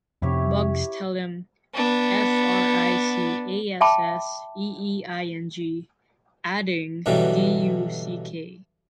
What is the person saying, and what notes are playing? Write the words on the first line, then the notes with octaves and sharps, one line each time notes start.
Bugs tells him, "F-R-I-C-A-S-S-E-E-I-N-G", adding "D-U-C-K".
F2 C3 E4 G4 C#5
B3 D4
E5 G5 A5 B5 D6
G2 B2 D3 E3 F#3 G3